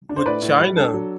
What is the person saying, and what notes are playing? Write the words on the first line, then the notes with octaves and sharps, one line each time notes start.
with China,
D4
C5
A2 B4 D5
A2
G3
D4 A4
F#3